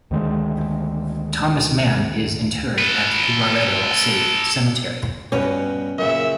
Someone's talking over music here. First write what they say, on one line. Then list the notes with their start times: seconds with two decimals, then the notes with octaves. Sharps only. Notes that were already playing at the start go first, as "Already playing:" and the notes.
Thomas Mann is interred at Laredo City Cemetery.
0.11 D2 D#3 G3 G#3
2.79 A4 B4
5.32 G2 B2 C#4 B4
5.98 F#2 A#2 C#3 E5